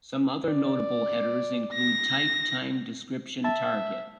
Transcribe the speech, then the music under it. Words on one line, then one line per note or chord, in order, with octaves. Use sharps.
Some other notable headers include: type, time, description, target.
D5
A#6
E5 A5